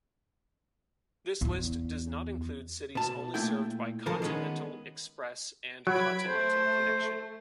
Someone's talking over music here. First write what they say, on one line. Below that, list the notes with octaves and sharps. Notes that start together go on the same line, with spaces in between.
This list does not include cities only served by Continental Express and Continental Connection.
E2
B2 A5
A#2 A3 E4 G5
C#3 E3 F3 A4 A#4
D#3 G#3 B3 C#4
F#3 B5 G#6 D7
A3 C5